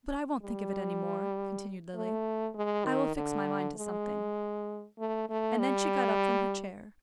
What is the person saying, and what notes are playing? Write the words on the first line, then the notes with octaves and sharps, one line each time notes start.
"But I won't think of it any more," continued Lily; "I will fix my mind to something." And then she got up from her chair.
G3
A3
G#3
D#3
D3
G#3
A3
A3
G3